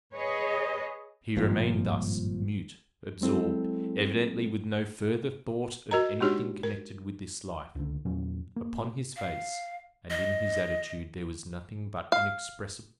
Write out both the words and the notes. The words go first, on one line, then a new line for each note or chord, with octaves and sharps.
He remained thus, mute, absorbed, evidently with no further thought of anything connected with this life. Upon his face and in his attitude there was nothing but inexpressible pity.
G#4 B4 C#5 D#5
G#1 G2 A#2 F3
F#3 G#3 C4 E4 A4
F#4 A#4 D#5 A#5
G#3 D4 D#4 F#4 G4 C#5
A#4
C#2 D3
E2 A#2 F#3 C#4
A#3
F5
D#5
F5